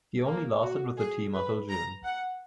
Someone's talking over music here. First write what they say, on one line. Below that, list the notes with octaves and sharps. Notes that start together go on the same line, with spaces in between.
He only lasted with the team until June.
A#3
F#4
G#4
B4
A#5
F#5